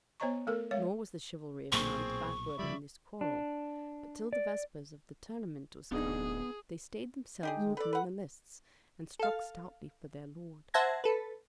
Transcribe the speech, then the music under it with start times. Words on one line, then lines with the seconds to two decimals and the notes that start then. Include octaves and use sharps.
Nor was the chivalry of Nantes backward in this quarrel, but till the vespers of the tournament was come, they stayed themselves within the lists, and struck stoutly for their lord.
0.20 B3 C5 C#5 D#5 A#5 C#6
0.47 A3 A4 A#4
0.71 G#3 C#5 F5
1.72 B1 A#2 A#3 C4 G#4 C#6
2.59 C#3 F3 G3 D5 E5 B5
3.21 D4
4.33 D5
5.91 D1 B3 D4 D#4 G#4
7.43 D#4 G4 G#4
7.57 G#3
7.77 A4 B4 D5
7.93 B4 F#5
9.19 A4 F5
10.74 C5 E5 F#5 A5 G#6 A#6
11.04 A4 B4